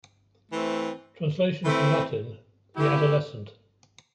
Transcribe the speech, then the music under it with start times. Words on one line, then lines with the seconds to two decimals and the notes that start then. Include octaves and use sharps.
Translation from Latin: “the adolescent”.
0.49 E3 A3 C4
1.63 E3 A3 C4 E4
2.76 E3 A3 E4 G4